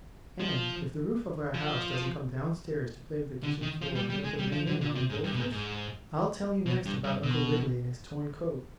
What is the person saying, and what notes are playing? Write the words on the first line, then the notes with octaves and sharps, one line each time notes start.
And, if the roof of our house doesn't come down stairs to play with the kitchen floor and let the rain in on the gold fish, I'll tell you next about Uncle Wiggily and his torn coat.
F3
F3
D3
D#3
F3
G3
G3
G#3
G3
F3
D3
D3
C3
G#2
G2
B2
G#2
G#2
B2
G2
G2
B2